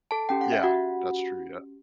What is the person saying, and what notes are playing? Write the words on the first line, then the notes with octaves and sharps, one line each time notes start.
Yeah. That's true. Yeah.
A4 A5
C#4 G4 G5
F#5
E5
F#4 F#5